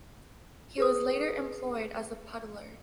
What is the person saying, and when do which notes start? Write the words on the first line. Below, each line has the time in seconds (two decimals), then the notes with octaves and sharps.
He was later employed as a puddler.
0.78 G#4 B4 D#6